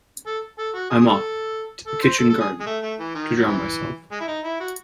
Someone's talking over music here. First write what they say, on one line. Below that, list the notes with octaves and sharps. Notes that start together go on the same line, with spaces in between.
I'm off. To the kitchen garden. To drown myself.
A4
A4
F#4
G#4
G#4
A4
A4
C5
A4
A4
G#4
G#3
A3
A3
E3
D#3
F#3
C3 E3
G#3
E4
D#4
E4
F#4